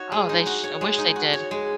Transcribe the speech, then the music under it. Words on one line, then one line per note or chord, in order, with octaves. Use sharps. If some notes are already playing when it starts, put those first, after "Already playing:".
Oh, they sh I wish they did.
Already playing: D#4 F#4 C#5
G#3
D#4
F#4
C#5
G#3
D#4
F#4
C#5
G#3